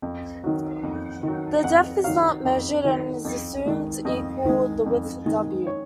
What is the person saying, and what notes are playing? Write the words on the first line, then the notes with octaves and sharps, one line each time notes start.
The depth is not measured and is assumed to equal the width "W".
F2
D#3 F#3
F2
D#3
F#3
F2 F#5
D#3 F#3 F5
F2
D#3 F#3
F2
D#3 G#3
F2 D#5
D#3 G#3
F2
D#3 G#3
C#5